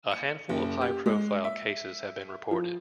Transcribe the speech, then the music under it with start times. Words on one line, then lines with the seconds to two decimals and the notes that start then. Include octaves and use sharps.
A handful of high profile cases have been reported.
0.11 C#7
0.49 F#1
0.81 G4
1.06 G#3
1.44 E5
2.51 F3